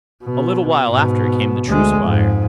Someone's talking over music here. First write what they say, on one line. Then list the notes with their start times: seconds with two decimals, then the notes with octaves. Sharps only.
A little while after came the true Squire.
0.24 B2
0.90 G#2 B2
1.67 D2 G#3
2.02 F2 G#2